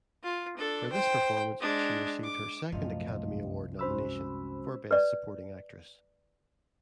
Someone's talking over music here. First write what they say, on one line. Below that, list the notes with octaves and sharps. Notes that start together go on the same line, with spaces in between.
For this performance, she received her second Academy Award nomination, for Best Supporting Actress.
F4
D4 A4
C5 G5
G#3 D4
D6
C2 F#2 A2 F3 A3 D#5 F5
G#3 C#4 F#4 C5 B5 E6
B4 D5